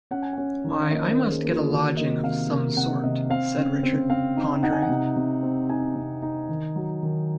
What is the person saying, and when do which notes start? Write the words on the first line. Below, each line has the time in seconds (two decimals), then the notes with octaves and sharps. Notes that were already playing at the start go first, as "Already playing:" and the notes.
"Why, I must get a lodging of some sort," said Richard, pondering.
0.11 C#4 F#5
0.22 G#5
0.33 C#4 F#5
0.64 D#3
0.83 F5
0.91 A#3 D#5
1.03 C5
1.11 A#4
1.17 C#4
1.31 G#4
1.44 A#3
1.51 F4
1.63 G#4
1.71 D#3 F#4
1.97 A#3 D#5
2.24 C3 F5
2.50 A#3
2.77 C3 F#5
3.04 C3 D#5
3.30 C4 F5
3.57 C#3
3.83 C4
4.10 C4 F5
4.37 D#4
4.63 D#4 F#5
4.73 G#5
4.82 F#5
4.89 C3
5.16 C3
5.43 C4
5.69 D#4 G#5
5.96 C3
6.22 D#4
6.49 D#3
6.76 F#3
7.03 D#3